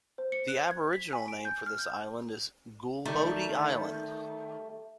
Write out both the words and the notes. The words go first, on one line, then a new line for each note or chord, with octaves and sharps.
The Aboriginal name for this island is Goolboddi Island.
C5
C#7
F#6
G#6
B6
G#5
D7
G6
F6
G6
D#3 G3 A3